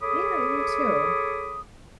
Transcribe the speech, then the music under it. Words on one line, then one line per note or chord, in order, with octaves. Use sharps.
Yeah, you too.
G#4 A4 C#5 B5 D6 D#6